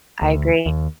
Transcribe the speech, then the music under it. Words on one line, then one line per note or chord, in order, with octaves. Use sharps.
I agree.
D2
D#2